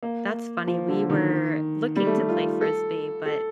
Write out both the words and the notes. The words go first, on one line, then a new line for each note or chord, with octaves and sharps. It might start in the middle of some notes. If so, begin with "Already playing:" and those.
That's funny, we were looking to play Frisbee, but
A#3
F3
D3
D#3
G3
A3
G3
F4
A4
A4